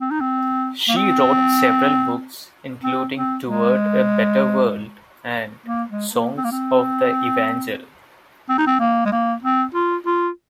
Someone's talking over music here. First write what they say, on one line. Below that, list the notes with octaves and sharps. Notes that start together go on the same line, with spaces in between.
She wrote several books, including "Toward a Better World" and "Songs of the Evangel".
C4
D#4
C4
A#3
C4
C4
C4
G#3
A#3
G#3
A#3
C4
A#3
C4
C4
D#4
C4
A#3
G#3
A#3
C4
F4
F4